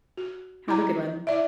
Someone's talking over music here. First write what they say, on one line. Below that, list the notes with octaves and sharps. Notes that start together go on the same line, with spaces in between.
Have a good one.
F#4
E4 A#5
E4 D5 E5